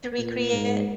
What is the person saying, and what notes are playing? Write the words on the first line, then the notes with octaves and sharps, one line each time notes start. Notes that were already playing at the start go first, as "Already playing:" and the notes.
to recreate it?
A#2
G#2